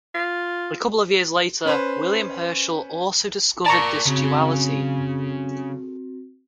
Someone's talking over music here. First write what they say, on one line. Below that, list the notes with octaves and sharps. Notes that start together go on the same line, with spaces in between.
A couple of years later, William Herschel also discovered this duality.
F4
C#4 B4 C5
A#4 D5 A5 A#5 C#6
C#3 C4 F#4